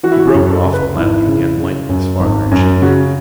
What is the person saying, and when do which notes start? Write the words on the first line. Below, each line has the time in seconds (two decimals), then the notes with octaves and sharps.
He broke off and lathered again lightly his farther cheek.
0.03 E3 F#4
0.11 E4
0.19 F#4
0.27 G#4
0.34 F#2
0.50 A4
0.65 C#3
0.73 B4
0.96 G#1 E4
1.27 C#3
1.58 C#3
1.89 F#2
2.20 G#1
2.51 F#2
2.82 C#3 F#4